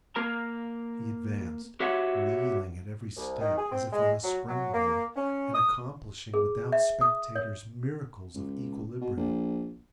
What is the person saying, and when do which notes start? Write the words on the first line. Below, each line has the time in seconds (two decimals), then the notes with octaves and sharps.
He advanced, reeling at every step, as if on a spring board, and accomplishing, without spectators, miracles of equilibrium.
0.16 A#3 A#4 A#5
1.80 F#4 G4 C#5 E5 F#5
3.17 C2
3.40 D#3
3.57 G#4
3.72 C4
3.91 G#3
4.23 F#3
4.48 F#3
4.73 A#3
5.16 C#4
5.54 D#6
6.34 G#4
6.72 E5
7.01 D#6
7.35 C#5
8.35 C#2
9.01 B2
9.16 A#1